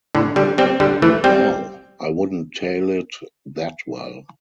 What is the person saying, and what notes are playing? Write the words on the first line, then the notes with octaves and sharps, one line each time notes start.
Wow, i wouldn't tale it that well.
A2 D3
D3 G3
G3 C4
D3 G3
E3 A3
G3 C4